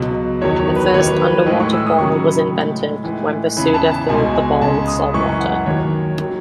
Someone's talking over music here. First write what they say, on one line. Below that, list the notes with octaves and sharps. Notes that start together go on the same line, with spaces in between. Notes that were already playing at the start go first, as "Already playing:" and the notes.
The first underwater ball was invented when Bersuda filled the ball with saltwater.
Already playing: C#2 B2 F#3
E2 D#3 F#3 C#5
C#5
B4
D#2 D#3 F#3 C#5
B4
B4
A2 E3 G#3 D#5
C#6
E6
D#6
D#2 C#3 F#3 C#6
B5
A2 G#3
A2 E3 G#3
E2 C#3 E3 B5
A5
A5
C#2 B2 G#3 G#5
G#5
C#2 C#3 G#3 A5
D#6
F#2 E3 G#3 C#6
F#5
D#2 D#3 F#3 C#5
D#3 F#3